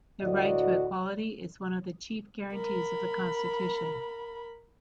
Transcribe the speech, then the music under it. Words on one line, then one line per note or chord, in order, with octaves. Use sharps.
The Right to Equality is one of the chief guarantees of the Constitution.
D2 A2 F#4 D5 D#5
A#4 B5